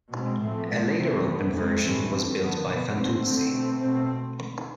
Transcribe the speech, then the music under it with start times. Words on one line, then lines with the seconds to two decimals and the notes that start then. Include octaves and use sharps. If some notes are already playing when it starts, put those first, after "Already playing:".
A later open version was built by Fantuzzi.
0.12 B2 G#3 C4
0.40 A2 F3 A3 C4
0.68 D3 G#3 B3
0.97 C3 E3 A3 C4
1.25 E3 B3
1.54 C3 G#3 C4
1.82 A2 E3 A3 C4
2.10 B2 A3 C4
2.38 D3 F3 B3
2.67 B2 B3
2.95 B2 A3 C4
3.22 D3 A3 C4
3.51 B2 A3 C4
3.79 B2 A3 C4